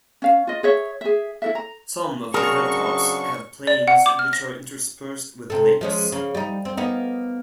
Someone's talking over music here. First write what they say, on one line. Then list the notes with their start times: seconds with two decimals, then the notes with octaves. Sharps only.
Some of the hilltops have plains which are interspersed with lakes.
0.22 C#4 F5
0.47 F4 D#5
0.63 G#4 C#5 E5
1.01 G#4 E5
1.42 E4 A4 E5
1.55 A#5
2.34 C#3 F#3 C4 D4 G#4 A#4 C#6
3.67 D5
3.88 F#5
4.06 D6
4.19 F6
4.33 A#6
5.50 C3 A4
5.81 F3 G#3 C#4
6.12 C#3 A#3
6.35 G3 D#4
6.65 C4
6.77 A#3 B3 D#4